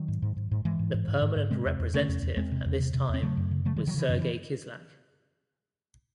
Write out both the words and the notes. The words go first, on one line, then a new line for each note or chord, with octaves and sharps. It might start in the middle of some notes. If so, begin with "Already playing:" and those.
The permanent representative at this time was Sergey Kislyak.
Already playing: D#3 F#3
G#2
G#2
G#2
G#2
G#2 E3 G#3
G#2
G#2
G#2
G#2
G#2
C3 G#3 C4
E2
E2
C3 A3 C#4
E2
E2
E2 G#3 C4
C3
E2
C3
C3
E2
C4
C#3 F#3 A3
F#2
C#3
C#3 F#3 A3
C#3 E3 G#3
D#3 F#3
C#3 E3
F#2 D#3
E3